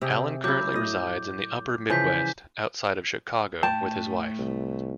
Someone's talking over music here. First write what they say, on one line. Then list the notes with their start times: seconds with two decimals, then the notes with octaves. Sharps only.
Allen currently resides in the upper midwest, outside of Chicago, with his wife.
0.01 C3 G4 G#4
0.44 F#3 E4 D6 G6
0.73 A2 D#5
1.90 C#3 E3 F3 G#5 G6 B6
3.63 A2 A3 G5 A5
4.39 C2